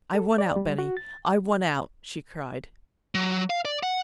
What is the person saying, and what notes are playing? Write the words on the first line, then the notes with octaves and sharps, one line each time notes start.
"I won out, Bunny--I won out!" she cried.
A4
D5
G3
F#4
A6
F#3
F5
D5
F#5